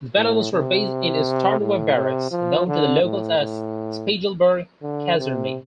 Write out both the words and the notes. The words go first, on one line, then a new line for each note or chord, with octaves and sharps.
The battalions were based in Stornoway Barracks, known to the locals as Spiegelberg Kaserne.
A2
C3
A2
C3
F3
D3
A2
A2
D3
C3